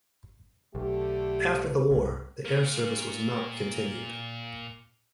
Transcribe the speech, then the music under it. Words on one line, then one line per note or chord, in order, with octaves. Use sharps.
After the war, the air service was not continued.
B1 D3 A3 G4
C2
A#2 A#3